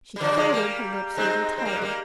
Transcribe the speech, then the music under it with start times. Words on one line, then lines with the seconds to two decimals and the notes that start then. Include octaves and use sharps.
She folded her lips a little tighter.
0.16 G3
0.21 D3 F3 D5
0.31 G3
0.37 F3 G#3
0.53 G3 A#3
1.17 G#3 C4 D#4
1.58 C4
1.65 G3 A#3
1.75 G#3
1.82 G3 A#3